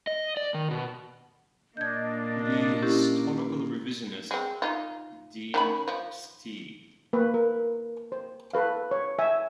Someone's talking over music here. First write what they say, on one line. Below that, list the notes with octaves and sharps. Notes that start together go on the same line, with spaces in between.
The historical revisionist De Ste.
D#5
D5
D#3
B2
A#2 A#3 D4 D#5 G6 G#6
C#4 E4 G4
G#3 C4
D#4 F4
D#3 C#4 B5
F3
A#3 B4
A#4
C5
A4 B4 F5
C#5
E5 G#5